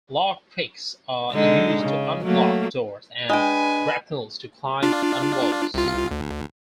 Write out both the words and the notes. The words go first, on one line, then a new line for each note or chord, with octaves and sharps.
Lock picks are used to unlock doors and grapnels to climb on walls.
D3 G#3 D#4
C#3
F#3 A3 A#3
G#3 D4 B4 G5 G#5
D4 F4
C2 F4
D2